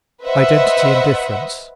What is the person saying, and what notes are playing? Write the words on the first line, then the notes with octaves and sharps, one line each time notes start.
Identity and Difference.
B4 C5 D#5 E5 F#5